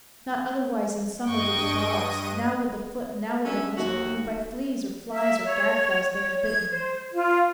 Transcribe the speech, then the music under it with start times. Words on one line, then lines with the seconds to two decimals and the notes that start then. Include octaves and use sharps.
Not otherwise in summer do the dogs, Now with the foot, now with the muzzle, when By fleas, or flies, or gadflies, they are bitten.
1.26 G2 D#5 G5 C#6 D#7
3.45 F#3 C#4 D4 E5
3.77 D#2 F#4
5.11 E5
5.45 C#5
6.11 C#5
6.42 G#6
6.70 C5
7.12 F4